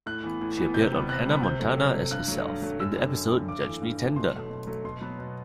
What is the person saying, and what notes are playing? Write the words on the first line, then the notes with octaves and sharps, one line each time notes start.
She appeared on "Hannah Montana" as herself in the episode "Judge Me Tender".
A2 F#6
E3 B3
A2
E3 B3
C3 G6
G3 B3
C3 F#6
G3 B3
C3 G6
F#3 A3
C3
F#3 A3
G2 F#6
F#3 A3
G2
F#3 A3
F#2 E6
D3 G3
F#2
D3 G3
G2 D6
E3 A3
G2
E3 A3
B2 C6
F#3 A3
B2
F#3 A3
B2 C6
F#3 B3
B2